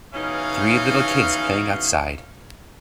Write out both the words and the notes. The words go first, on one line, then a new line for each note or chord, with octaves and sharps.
Three little kids playing outside.
B2 E3 C#4 D#4 G#4 F5